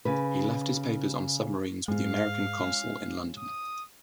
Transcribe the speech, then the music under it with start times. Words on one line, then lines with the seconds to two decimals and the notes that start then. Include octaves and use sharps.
He left his papers on submarines with the American consul in London.
0.05 C#3 B4
1.88 G#2 G#3 F5
2.60 C#4 F4
3.38 D#6